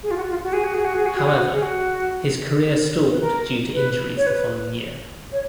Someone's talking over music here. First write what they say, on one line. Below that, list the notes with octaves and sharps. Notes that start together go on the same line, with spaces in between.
However, his career stalled due to injuries the following year.
G#4
F4
F#4
F4
F#4
G#4
F#4
G#4
F#4
G#4
F#4
G#4
F#4
G#4
F#4
B4
A#4
B4
C#5
B4
C#5